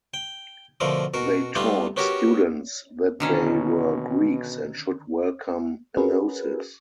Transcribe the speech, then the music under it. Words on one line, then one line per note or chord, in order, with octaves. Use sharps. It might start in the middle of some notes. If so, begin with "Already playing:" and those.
They taught students that they were Greeks and should welcome "enosis".
G5
B2 D3 F3 A3 A#4
B2 F#4 A#4
G3 A3 B3 D4 D#4 F4
B3 C#4 F#4 G4 A#4
B2 D3 D#3 C#4
C#4 F#4 G#4 A#4 B4